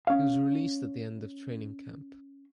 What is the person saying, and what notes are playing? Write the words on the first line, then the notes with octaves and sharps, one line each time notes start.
He was released at the end of training camp.
C#4 F5